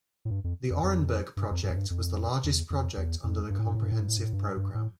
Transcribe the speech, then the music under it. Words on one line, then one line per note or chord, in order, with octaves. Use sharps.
The Orenburg project was the largest project under the Comprehensive Program.
A2
G2
F2
F2
F2
G2
F2
G2
F2
G2
F2
E2
F2
E2
F2
G2
A2
G2
A2
G2
A2
G2
A2
G2
A2
G2
G2
A2